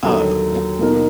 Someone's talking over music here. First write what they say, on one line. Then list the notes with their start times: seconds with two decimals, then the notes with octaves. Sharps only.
Uh, w
0.03 D#2 D3 F#3
0.79 B2 A#3 D#4 A#4